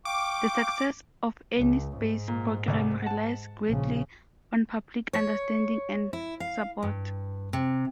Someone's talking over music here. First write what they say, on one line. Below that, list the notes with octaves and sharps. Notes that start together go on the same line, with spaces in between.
The success of any space program relies greatly on public understanding and support.
F5 G5 C#6 D6
C#2
G#2
A#2
C2 D5
F#5 A5
A#1 C#3
C#5
E4
F5
G2
C3